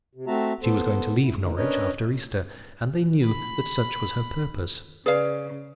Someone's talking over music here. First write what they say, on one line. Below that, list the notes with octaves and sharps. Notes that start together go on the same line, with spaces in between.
She was going to leave Norwich after Easter, and they knew that such was her purpose.
C3
A3 C4 F#4 E5 A5 A#5
B3 A4 C5
E4
A2 D3 D#3
C#4 D4 A#4 B4 C#5 D#5
B5
C#3 G#4 B4 D5 F5